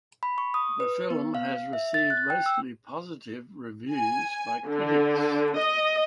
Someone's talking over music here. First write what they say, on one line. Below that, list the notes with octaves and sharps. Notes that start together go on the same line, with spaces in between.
The film has received mostly positive reviews by critics.
B5
C#6
D#6
B4
B3
F5
E5
A6
F#6
G5
E6
G#5
D3
D#5